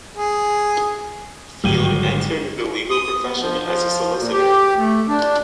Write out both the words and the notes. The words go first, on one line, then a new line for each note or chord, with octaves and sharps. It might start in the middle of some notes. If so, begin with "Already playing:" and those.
Field entered the legal profession as a solicitor.
G#4
G#1 D3 F#3 G3 G4 D#7
D#6
B3
F3
F3
A#2
G4
A3
D4